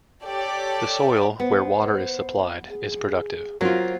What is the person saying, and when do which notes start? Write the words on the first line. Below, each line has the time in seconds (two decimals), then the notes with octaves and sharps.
The soil, where water is supplied, is productive.
0.24 G4 A4 C#5 D5 D6
1.40 B3 C5
2.69 G#4
3.61 F#3 A#3 F4 A#4 C5